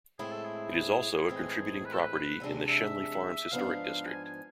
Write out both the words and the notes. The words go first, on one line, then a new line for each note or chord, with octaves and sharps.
It is also a contributing property in the Schenley Farms Historic District.
A2 G#3 C4 E4 G#4
A4
G#4
A2 E3 G#3 C4
B4
A4
B4
E2 C3 G#3 D4
E5
G#2 F3 B3 D4 F5
G#5
G#5